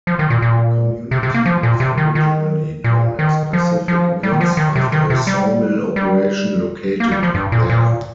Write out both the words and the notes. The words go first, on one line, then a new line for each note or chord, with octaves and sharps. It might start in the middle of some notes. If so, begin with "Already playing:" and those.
The community was originally known as Pacific Mills, after a sawmill operation located there.
F3
D#3
A#2
A#2
C3
C3
A#3
F3
A#2
C3
D#3
D#3
A#2
D#3
F3
F3
G3
D#3
F3
D#3
C3
D#3
C3
G3
G3
A#3
G3
F3
G2
A#2
A#2